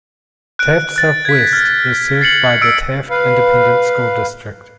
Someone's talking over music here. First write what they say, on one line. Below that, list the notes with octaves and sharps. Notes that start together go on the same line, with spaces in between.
Taft Southwest is served by the Taft Independent School District.
F#6 D7
F#6 A6
G#6 B6
F6
A6 C7 C#7 F#7
E6 A6 D7
B4 F5